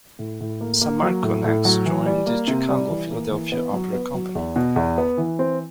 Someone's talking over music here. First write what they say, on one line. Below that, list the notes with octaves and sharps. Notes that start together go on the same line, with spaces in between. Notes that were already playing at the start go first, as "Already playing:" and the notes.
Sammarco next joined the Chicago-Philadelphia opera company.
A2
A2
A#3
A#3
F#3
A2
A2
F#3
E3
G3
A#3
C3
G3
E3
A#3
E3
B3
F#3
B3
F#3
E2
B2
E2
B3
E3
C4